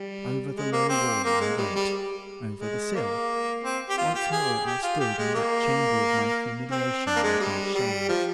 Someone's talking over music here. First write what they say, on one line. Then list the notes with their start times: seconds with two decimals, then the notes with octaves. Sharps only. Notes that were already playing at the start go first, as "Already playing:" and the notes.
Over the low wall I went, over the sill,--once more I stood in that chamber of my humiliation and my shame.
Already playing: G3
0.56 G#3
0.72 A#3
0.89 C4
1.24 A#3
1.41 G#3
1.57 G3
1.75 G3
2.61 G#3
2.95 A#3
3.63 C4
3.89 G4
3.98 F4
4.15 G4
4.32 G#4
4.66 G4
4.83 F4
5.00 G4
5.18 G#3
5.35 A#3
6.71 C4
7.06 D4
7.16 A#3
7.23 G#3
7.40 G3
7.74 G3
8.09 F3